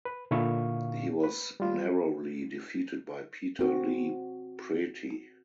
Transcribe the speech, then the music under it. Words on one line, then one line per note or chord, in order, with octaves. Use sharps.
He was narrowly defeated by Peter Li Preti.
B4
A#2 D3 E4 F5 C#6
B4
G3 F4
C4 F#4